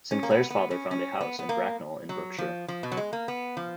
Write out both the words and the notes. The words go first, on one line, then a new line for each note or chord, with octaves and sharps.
Sinclair's father found a house in Bracknell in Berkshire.
C#4
A#3
B3
B3
C#4
C#4
B3
B3
A#3
F#3
F3
F3
B2
F#3
G#3
A#3
B3
F3